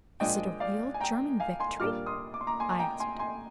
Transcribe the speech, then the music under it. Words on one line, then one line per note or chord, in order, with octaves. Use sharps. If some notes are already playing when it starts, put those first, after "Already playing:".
"Is it a real German victory?" I asked.
A#2 F3 G#3 D4 D#5 G5
D5 F5
G#5
G5 A#5
F5 G#5
G#5 C6
A#2 G3 A#3 D4 D6 F6
C6 D#6
D6
C6
A#5 D6
G#5 C6
G#5
G5 A#5
G#5 C6
G#5 C6